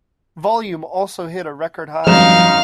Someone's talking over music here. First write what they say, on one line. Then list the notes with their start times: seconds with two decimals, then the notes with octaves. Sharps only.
Volume also hit a record high.
2.07 G#1 F#2 F3 G3 D#4 F5 F6 E7